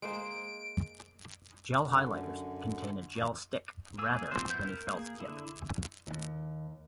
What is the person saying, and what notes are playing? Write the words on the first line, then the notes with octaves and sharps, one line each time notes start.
"Gel highlighters" contain a gel stick rather than a felt tip.
G#3 A#3 C5 D7
F#2 D3
A#3 G#4 E6
F3 C4 C5
B3 E4 G6
A#4
A#3 G#4
D3 E4
D#2